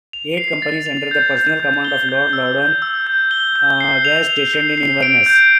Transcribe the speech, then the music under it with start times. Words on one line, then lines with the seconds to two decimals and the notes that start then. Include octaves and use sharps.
Eight companies, under the personal command of Lord Loudoun, were stationed in Inverness.
0.13 F7
0.37 C7
0.62 A6
0.86 F7
1.11 G6
1.36 G6
1.60 G6
1.85 G7
2.09 G6
2.33 E6
2.58 G6
2.82 E6
3.07 G6
3.31 G7
3.56 G6
3.80 C7
4.05 F7
4.29 F7
4.54 C7
4.78 C7
5.02 D7
5.26 G6